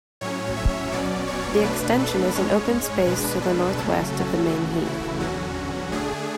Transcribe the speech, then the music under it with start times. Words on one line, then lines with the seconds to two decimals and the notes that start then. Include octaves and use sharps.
The Extension is an open space to the north-west of the main heath.
0.21 A2 F#3 C#4 C#5
0.57 E5
0.92 B2 F#3 C#4 D5
1.28 C#5
1.63 B2 A3 D4 B4
1.99 A4
2.35 G#2 G#3 C#4 C#5
3.06 B2 G#3 D4 B4
3.42 A4
3.77 C#3 F#3 A3 C#4
4.13 F#4
4.49 C#3 E3 A3
4.85 E4
5.20 E2 D3 F#3 C#4 F#4
5.92 D3 A3 D4 G#4